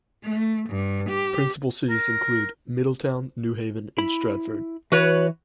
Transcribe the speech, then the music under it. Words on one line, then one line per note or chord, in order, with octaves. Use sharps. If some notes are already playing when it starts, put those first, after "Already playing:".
Principal cities include: Middletown, New Haven, and Stratford.
A3
G2
G4
A#4
E4 B5
E3 F#4 B4 C#5